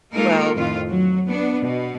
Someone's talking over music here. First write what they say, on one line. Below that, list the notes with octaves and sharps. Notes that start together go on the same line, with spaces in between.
Well, y
G#3 A#3 D#4 F4 A4 A#4
F2 A2 D#3 F4
F#3
B3 D4
B2